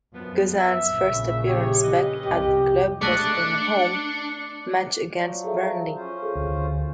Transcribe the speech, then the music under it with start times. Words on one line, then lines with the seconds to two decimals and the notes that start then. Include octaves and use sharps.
Guzan's first appearance back at the club was in a home match against Burnley.
0.13 F#2 F3 B3
0.58 E5
0.92 A#1 C#3
1.47 G4 G#4 C#5
1.83 C#4 B4 D#5
2.25 C2 F2 G4
3.01 A3 D4 A4 D#5 D6 F#6 A6 C#7
5.16 F3 F#3 D5
5.44 G#4 A4 E5
5.95 C#4 F4 C5
6.23 G#4 A4
6.35 D2